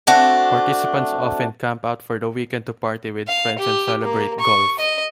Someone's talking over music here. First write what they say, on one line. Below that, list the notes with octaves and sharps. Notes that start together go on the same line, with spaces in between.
Participants often camp out for the weekend to party with friends and celebrate golf.
A3 C4 D4 F#4
F5
G4
A#3
C#6
D#5